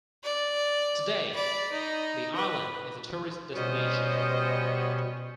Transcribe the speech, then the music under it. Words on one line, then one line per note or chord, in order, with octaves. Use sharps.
Today, the island is a tourist destination.
D5
D5 B5
D#4
B4
B2 G3 B3 C#4 C5 D#5